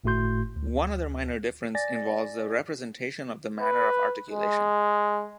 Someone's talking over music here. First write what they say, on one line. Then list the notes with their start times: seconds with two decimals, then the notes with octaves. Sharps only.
One other minor difference involves the representation of the manner of articulation.
0.04 G1 A2 A3 F#4 C6 G6
0.56 D2
1.75 D5 G#5 A6 A#6
3.60 B4
4.31 G#3